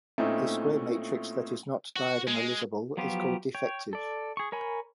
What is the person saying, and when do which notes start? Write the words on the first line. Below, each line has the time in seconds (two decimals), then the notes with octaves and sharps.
A square matrix that is not diagonalizable is called defective.
0.18 A#2 A3 C4 C#4 D#4 E4
1.96 F#4
2.28 G#3
2.97 F3 F#3 B3 F4 G4
3.55 C#5 G5
3.93 A4 D5
4.37 G#4 C#6
4.52 A#4 C#5 G#5 B5